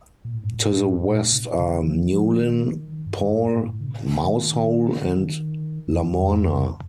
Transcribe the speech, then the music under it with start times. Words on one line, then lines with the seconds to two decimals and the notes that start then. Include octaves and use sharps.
To the west are Newlyn, Paul, Mousehole and Lamorna.
0.25 A#2
0.35 A2
0.44 G2
0.54 A2
0.95 A2
1.05 A#2
1.32 C3
1.59 D3
1.85 F3
2.12 F3
2.38 D#3
2.66 D#3
3.06 G2
3.26 G2
3.46 A2
3.81 D3
3.87 C3
4.27 D#3
4.98 D3
5.07 D#3
5.88 F2
6.57 F2